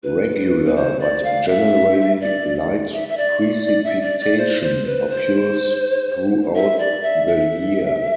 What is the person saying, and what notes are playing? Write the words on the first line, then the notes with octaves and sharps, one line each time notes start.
Regular but generally light precipitation occurs throughout the year.
B4
B4
C5
D5
F5
E5
D5
E5
E5
D5
D5
D5
E5
D5
D5
C5
C5
B4
C5
E5
D5
E5
E5